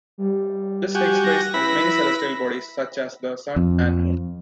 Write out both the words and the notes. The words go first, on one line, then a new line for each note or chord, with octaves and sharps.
This takes place in many celestial bodies such as the Sun and Moon.
G3
F#4 G4 G#5
A#6
E4 B4 B5
F2